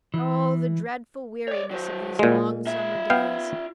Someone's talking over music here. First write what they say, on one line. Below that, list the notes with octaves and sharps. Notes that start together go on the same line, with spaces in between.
Oh, the dreadful weariness of these long summer days!
E3
C#5 D5
F#3 C5
A#2 G#3
F4 E5
B3 F5 G5